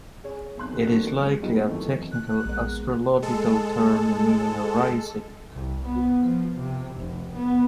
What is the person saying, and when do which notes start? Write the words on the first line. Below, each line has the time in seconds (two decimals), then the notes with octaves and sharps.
It is likely a technical astrological term meaning rising.
0.24 G#4 C#5
0.57 B1 C4 C6 F#6
0.84 D#3 F#3 A3 A#3 C4 D4
1.21 G#3
1.42 G3 G#3 B3 D#4 F4
1.68 F#2 D#3 E3 A3 C4
2.12 A2 F#6
2.44 A#1 G#3 A#3 B3
3.22 G#3 A4
5.54 C2
5.87 B3
6.21 F3
6.59 C3
6.96 F1
7.36 B3